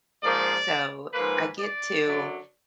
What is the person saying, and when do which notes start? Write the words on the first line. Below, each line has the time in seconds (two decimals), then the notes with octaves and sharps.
So, I get to,
0.23 G#2 F3 A#3 D5
1.14 G#2 F3 A#3 B4
1.59 D5
2.05 F#2 D3 F#3